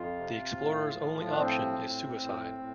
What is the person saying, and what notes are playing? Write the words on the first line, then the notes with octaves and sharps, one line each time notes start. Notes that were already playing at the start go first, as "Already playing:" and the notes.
The explorer's only option is suicide.
Already playing: F2 F4
C3
A2
F3
F4
D4
A2 C4
A2
A2
A2